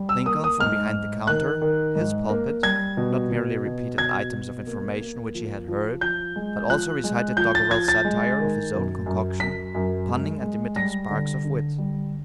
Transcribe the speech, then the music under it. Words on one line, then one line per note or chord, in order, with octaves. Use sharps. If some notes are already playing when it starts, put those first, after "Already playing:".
Lincoln, from behind the counter--his pulpit--not merely repeated items of information which he had heard, but also recited doggerel satire of his own concoction, punning and emitting sparks of wit.
Already playing: G3
E6
A#3 D#6
D#6
G#2 F6
G#2
D#3 F#6
D#3
G#2
A#3
G3 G#6
B2
B2
B2
B2 G#6
B2
A#3
A#3
F3
F3
F3 G6
G#3
F3 F#6
G#3
F3 G6
A6
F3 G#6
A6
G#3
D#3
F#2
F#2
F#2 B6
F#2
G#3
G#3
G3 A#6
D3
D3
G3